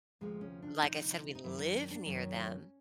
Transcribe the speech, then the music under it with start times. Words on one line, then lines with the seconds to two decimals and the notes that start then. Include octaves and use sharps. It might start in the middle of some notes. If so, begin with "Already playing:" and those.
like I said, we live near them.
0.21 D2 C3 F3 G#3
0.41 C#4
0.62 D4
0.82 D2 C3 F3 D#4
1.35 D#4
1.44 F#2 D#3 F#3 E4
1.60 D#4
1.76 D4
1.91 D4
2.06 F#2 D#3 F#3 C#4